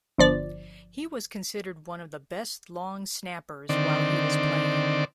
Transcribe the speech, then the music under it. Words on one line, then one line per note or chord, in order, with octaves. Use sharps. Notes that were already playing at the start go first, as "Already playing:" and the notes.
He was considered one of the best long snappers while he was playing.
G1 F3 D5
D3 D#3 C4 D5